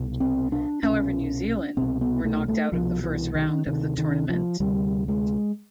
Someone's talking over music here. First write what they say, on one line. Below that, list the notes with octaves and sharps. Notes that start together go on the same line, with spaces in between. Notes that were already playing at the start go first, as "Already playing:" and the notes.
However New Zealand were knocked out of the first round of the tournament.
Already playing: C2 B2
C4
D4
C2 B2 C#4
C2 B2 C4
B3
A3
A3
C2 B2 F3
E3
D#3
D2 C3 D#3
D#3
F3
D2 C3 G3
G#3